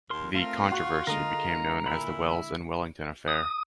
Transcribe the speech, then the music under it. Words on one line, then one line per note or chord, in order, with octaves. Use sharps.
The controversy became known as the Wells and Wellington affair.
D#2 A#4 C6
A3 C4 F4 A#4
F#4 F5 C6 C#6 F#6
D3 G#3 A#4 D#5 A#5
A#2 E4 B5
D#6